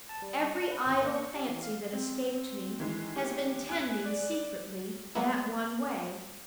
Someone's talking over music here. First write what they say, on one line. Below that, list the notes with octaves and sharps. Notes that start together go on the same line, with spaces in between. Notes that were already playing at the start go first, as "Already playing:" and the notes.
Every idle fancy that escaped me has been tending secretly that one way!
A5
G3
C#6
D4
B4
G#1
A#3
C#6
G4
E3
F5
C4
D#3 E3 G#3
C#4 G4
G#5 F#6
D5
F#3 G#3 A#3 B3 E4